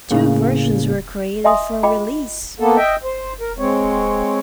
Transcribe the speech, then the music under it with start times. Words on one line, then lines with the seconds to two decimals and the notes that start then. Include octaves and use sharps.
Two versions were created for release.
0.11 A2 C#3 A#3
1.44 D#5 E5 G#5 C6 D#6
1.83 F4 D#5 G5 B5 D6
2.60 A#3 B3 A4
2.77 D#5 E5 G5
3.04 C5
3.41 A#4
3.59 G#3 C4 C#5